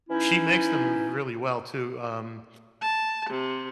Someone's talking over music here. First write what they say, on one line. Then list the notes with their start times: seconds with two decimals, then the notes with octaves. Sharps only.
She makes them really well, too, um,
0.09 E3 C#4 D#4 E4
2.81 A5
3.30 C3